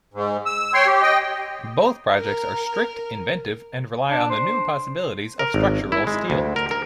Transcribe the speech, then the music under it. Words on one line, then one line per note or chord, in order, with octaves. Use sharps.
Both projects are strict, inventive, and rely on the new possibilities of structural steel.
G#2
E6
C#5 G5 C6
G4
D#5 G5
A#4
D4
C5
A#4
G#1
E4
G#3
D2
A#4
A#4